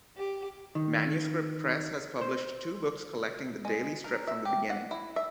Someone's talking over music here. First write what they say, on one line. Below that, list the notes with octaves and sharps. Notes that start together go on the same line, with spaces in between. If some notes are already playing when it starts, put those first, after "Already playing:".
Manuscript Press has published two books collecting the daily strip from the beginning.
G4
D#3
C5
G#3
A#4
E5
G4
F#5
E4
E5